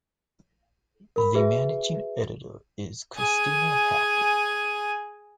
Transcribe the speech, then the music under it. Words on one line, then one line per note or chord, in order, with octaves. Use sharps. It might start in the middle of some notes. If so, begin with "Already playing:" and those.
The managing editor is Kristina Hacker.
A#4 B5
F#4 G#4 B4 E5
G#4 G#5